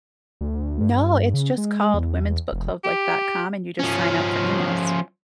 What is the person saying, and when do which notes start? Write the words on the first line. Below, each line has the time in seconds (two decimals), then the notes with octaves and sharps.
no, it's just called women's book club, like, .com and you just sign up for emails,
0.41 D2
0.81 G2
1.34 C#3
1.58 G#3
1.94 E2
2.52 F1
2.84 G4
3.80 F3 C#4